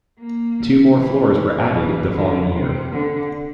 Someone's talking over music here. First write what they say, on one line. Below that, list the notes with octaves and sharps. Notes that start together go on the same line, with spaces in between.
Two more floors were added the following year.
A#3
E3
E3
E3
D3
C3
D3